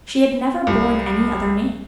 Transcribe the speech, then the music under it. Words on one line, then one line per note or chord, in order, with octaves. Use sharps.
She had never borne any other name.
C2